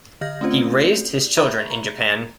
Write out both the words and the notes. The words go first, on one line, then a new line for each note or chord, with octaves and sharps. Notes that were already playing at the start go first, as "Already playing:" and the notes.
He raised his children in Japan.
D3 D#5 F6 G6 A#6
A3 C4 C#4 F4 C5
D5
C5 D5 E5 A#5 B5 C#6
A#5